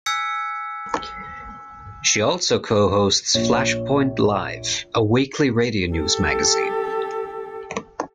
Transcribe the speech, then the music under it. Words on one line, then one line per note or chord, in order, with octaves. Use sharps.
She also co-hosts "Flashpoint Live", a weekly radio news magazine.
G#5 E6 F#6 G#6 B6 C#7
A#1 C#5
G4 A4